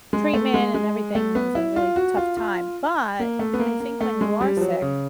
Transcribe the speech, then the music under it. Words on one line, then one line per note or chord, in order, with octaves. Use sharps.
treatment and everything, it was a really tough time, but I think when you are sick,
G#3
A3
G#3
G#3
A3
B3
E4
F4
F#4
F4
F4
A#3
A3
B3
A#3
A#3
A3
G#3
G3
F3
F#3
C#3